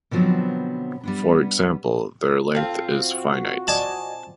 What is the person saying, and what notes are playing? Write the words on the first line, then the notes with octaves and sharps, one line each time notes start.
For example, their length is finite.
B2 D3 F3 F#3 B3 C4
G3 B3 D4
C4 F4 A4
F#4
D5 D#5 G#5 A5